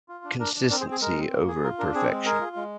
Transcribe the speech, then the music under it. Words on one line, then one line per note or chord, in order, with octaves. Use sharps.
consistency over perfection.
F4
D4
D4 A#4
D4
C4 A#4 D5
G#4 C5
C4
G#4
G#3 A#4
C4
A#3
G#4
F4 A#4
D4 A#4
C4 G#4
G#3
G#4 A#4
F4
G#3